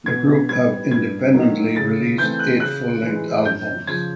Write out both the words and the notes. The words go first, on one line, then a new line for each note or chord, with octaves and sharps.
The group have independently released eight full length albums.
B2 G#6
G3 B3 G#6
G2 G#6
D#3 F#3 A#3
C#3 A6
E3 A3 C4 G6
F#6
C#3 F#6
E3 G#3
F#2 G6
C#3 F3 G#6